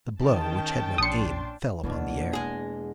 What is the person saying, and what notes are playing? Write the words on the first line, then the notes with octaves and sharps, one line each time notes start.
The blow, which had no aim, fell upon the air.
D#3 C#4 G5 A5
A#1 D4 C6 D#6 C#7
E2 B2 A#3 D4
G#3 G#4